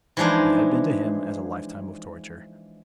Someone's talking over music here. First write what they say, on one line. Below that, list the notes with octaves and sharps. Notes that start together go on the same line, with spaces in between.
It had been to him as a lifetime of torture.
E3 F3 G#3 D4 D#4